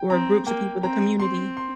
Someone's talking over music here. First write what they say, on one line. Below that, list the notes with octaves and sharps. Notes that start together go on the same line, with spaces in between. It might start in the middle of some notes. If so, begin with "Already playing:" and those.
where groups of people the community,
Already playing: G5
C4 A#5
A#3 G5
C4 A#5
C4 C6
C6